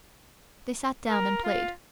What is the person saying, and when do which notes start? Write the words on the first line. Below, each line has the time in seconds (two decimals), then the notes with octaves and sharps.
They sat down and played.
1.10 A#4
1.44 F4